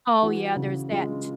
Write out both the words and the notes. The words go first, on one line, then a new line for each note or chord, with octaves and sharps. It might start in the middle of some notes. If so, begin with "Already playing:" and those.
Oh, yeah, there's that t
E3 F#4
C#3
G#3 F4